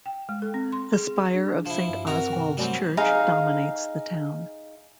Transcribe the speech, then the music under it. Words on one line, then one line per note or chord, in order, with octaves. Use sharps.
The spire of Saint Oswald's Church dominates the town.
G5
G#3
A4
C4
C6
G#4
D4
F3 E4
G2
C4 F#4 A#4 A#5
C3 G5
F#3 G3 A3 C4 D5 F#5
D#4 G#4 F5